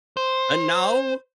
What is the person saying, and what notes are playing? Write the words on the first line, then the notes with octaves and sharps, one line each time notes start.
"And now
C5